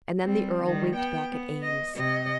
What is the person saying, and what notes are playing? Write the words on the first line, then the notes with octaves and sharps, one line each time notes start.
And then the earl winked back at Eames.
G3 C4
D#3 G3
B3 G5
B3
D#5
C3 D#5